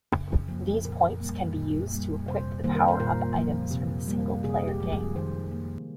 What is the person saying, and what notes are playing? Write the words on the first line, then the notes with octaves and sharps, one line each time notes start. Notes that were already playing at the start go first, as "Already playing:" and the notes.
These points can be used to equip the power-up items from the single-player game.
C#3
F3 A#3
A#2 A#4
G3 A#3
A#2
G3 A#3
C3 C5
D#3 G3 A#3 C5
A#4
C5
A#2 A#4
F3 A#3
C3
G3 A#3
C3 G#4
G4
F3 G#3
G#4
D#3 C5
A#3